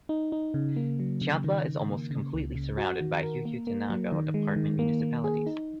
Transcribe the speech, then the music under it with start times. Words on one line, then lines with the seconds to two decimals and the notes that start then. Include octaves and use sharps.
Chiantla is almost completely surrounded by Huehuetenango Department municipalities.
0.09 D#4
0.32 D#4
0.54 C#3
0.76 A#3
0.99 F#3
1.21 C#3
1.44 D#3
1.66 D#3
1.88 A#3
2.11 C#3
2.34 C#2
2.55 C#3
2.77 F#4
3.00 D#3
3.23 A#4
3.45 A#3
3.67 A#3
3.90 F#3
4.12 D#3
4.34 G#3
4.56 D#3
4.79 A#3
5.01 A#3
5.24 G#4
5.46 D#4